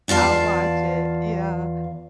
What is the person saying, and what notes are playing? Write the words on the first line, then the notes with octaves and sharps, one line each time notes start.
I'll watch it, yeah.
E2 F4 D5 F5 A5